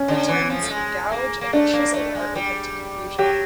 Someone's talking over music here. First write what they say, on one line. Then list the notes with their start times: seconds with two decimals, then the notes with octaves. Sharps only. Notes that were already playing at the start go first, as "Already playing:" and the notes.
The terms "gouge" and "chisel" are open to confusion.
Already playing: C#4
0.08 D3
0.28 E3
0.50 F3
0.62 A3
0.70 G#3
1.12 A#3
1.41 A#3
1.53 A3 D4
1.73 A#3
1.94 A3
2.15 G#3
2.35 G3
3.18 F#3 G4